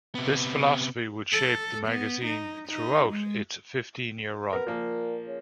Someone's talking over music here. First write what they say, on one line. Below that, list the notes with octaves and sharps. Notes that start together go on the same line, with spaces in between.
This philosophy would shape the magazine throughout its fifteen-year run.
C3 B3
A4
B3
D#4
D#4
G#3
B3 A#4
A#2 F3 A#3
C#3